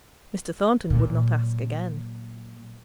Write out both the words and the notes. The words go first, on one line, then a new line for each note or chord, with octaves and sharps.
Mr. Thornton would not ask again.
A#2 F#3